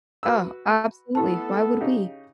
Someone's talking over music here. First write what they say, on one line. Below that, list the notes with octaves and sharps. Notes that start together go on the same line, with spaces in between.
Oh, absolutely, why would we?
F#4 B4 E6
A3 B3 E4 A4 A5
C#3 D#4 G4